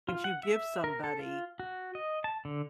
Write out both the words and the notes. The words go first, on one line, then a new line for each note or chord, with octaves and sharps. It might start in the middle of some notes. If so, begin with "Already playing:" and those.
would you give somebody
F4
F#5
E5
A#4
A4
F4
F#4
D#5
A5
D3